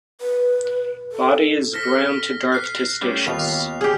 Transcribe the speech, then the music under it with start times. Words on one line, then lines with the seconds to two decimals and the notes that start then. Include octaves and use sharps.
Body is brown to dark testaceous.
0.21 B4
1.12 A4
1.73 A4 C5 F6 A#6 B6
2.52 F#6 C7
3.01 G3 A3 C#4
3.27 D#2 B2 F4 F7
3.81 G4 G#4 F6